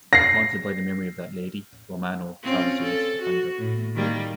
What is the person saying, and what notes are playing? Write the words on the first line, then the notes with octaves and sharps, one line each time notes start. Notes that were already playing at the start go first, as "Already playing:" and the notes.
Haunted by the memory of that lady, Romano travels to Russia to find her.
A#6 C7
C4 C#4 F4
A4
F#4
A2
D#3 G3 A#3